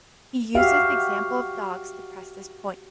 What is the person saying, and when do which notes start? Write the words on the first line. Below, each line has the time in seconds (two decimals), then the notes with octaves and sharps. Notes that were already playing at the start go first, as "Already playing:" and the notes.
He uses the example of dogs to press this point.
0.55 F#4 G4 E5 F5